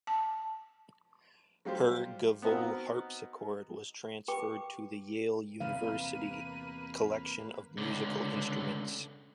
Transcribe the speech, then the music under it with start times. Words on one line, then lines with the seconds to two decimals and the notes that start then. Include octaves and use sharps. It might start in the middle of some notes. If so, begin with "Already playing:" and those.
Her Gaveau harpsichord was transferred to the Yale University Collection of Musical Instruments.
0.07 A5
1.65 F#3 G3 F4 G4 C5
2.42 B3 C4 D#4 F#4 A#4
4.28 G4 B4 G5 D6
5.60 E2 C3 A#3 B3 B4 F5 D#7
7.78 C#2 D3